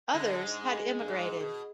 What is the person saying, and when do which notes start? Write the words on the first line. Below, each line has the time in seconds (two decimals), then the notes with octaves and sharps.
Others had emigrated.
0.14 D3 G#3
0.46 G#2
1.00 G2
1.08 G#2
1.40 B2